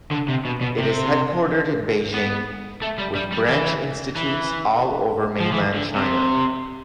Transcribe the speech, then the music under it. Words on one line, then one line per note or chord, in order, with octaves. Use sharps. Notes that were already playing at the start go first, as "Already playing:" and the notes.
It is headquartered in Beijing, with branch institutes all over mainland China.
D3
C3
B2
B2
C3
B3
A3
G3
G3
G3
E3
E3
F3
E3
D3
C3